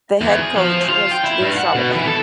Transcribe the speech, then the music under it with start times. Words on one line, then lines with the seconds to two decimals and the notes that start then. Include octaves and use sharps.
The head coach was Gene Sullivan.
0.21 E2
0.40 G#4
0.56 F3
0.89 F4
1.11 G5
1.24 E4
1.40 G2
1.57 F#5
1.75 B2
1.95 E3
2.06 A4